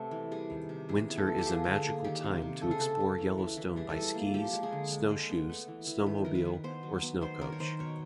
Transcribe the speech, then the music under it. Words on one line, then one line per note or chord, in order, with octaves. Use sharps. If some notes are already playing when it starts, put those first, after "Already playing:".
Winter is a magical time to explore Yellowstone by skis, snowshoes, snowmobile, or snowcoach.
Already playing: C3 A3 B3
E3
G3 G#4
D#3
C3
E3 G#4
B3
A4
B3
G4
F3 G#4
D3 A4
G#4
A#3
D#3 G4
C3
C3
C#3 A4
G#4
C#3 A4
C#3
E3
E3
E3
G3 G#4
A4
G3
G#4
A#3
F3 G4
G#3
G#4
D3
G#3
G#3
B3
A3
E3
E3
D#3 B4
D#3 A#4
B4
D#3
B3 C5
F#3
B3
D#3 C5
D#3 A#4
C#5
D#3 C5
B2 C#5